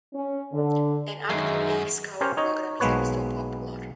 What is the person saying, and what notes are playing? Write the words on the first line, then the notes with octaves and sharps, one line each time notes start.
An active Air Scout program is also popular.
C#4
D3
F#2 D#3 G#3 D#4 G#4 E5
C#4 G4 A#4 C5 C#5
D#4 C#5 D#5
B1 G#3 A#3 B3 B4 C#5